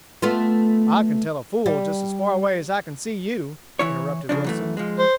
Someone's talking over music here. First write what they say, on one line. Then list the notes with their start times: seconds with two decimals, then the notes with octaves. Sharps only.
"I can tell a fool just as far away as I can see you," interrupted Wilson.
0.22 A3 B3 F4
1.66 G3
3.79 E3 E4 C#5
4.29 C#3 F3 D4
4.44 F#2 E3 A3
4.77 F3 G#3
4.99 C5